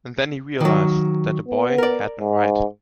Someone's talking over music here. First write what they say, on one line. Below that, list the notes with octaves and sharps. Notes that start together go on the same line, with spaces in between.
And then he realised that the boy had been right.
D#3 F#3
B3
A#4 D5
G#2